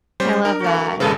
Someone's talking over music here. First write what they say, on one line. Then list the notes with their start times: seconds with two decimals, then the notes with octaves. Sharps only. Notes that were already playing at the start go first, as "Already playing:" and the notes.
I love that.
0.20 G3 C#4 C5
0.45 D4 A#4
0.60 A3 F#4
1.00 G#1 A#2 C#3 G3 A4 B4